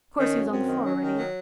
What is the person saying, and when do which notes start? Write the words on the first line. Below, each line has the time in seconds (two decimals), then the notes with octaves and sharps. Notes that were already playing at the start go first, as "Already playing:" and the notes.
Of course he was on the floor already.
0.17 D#3 C#4
0.33 F#2
0.50 F#2 C4
0.67 D#3
0.84 F#3 C#4
1.01 D#3
1.17 F#3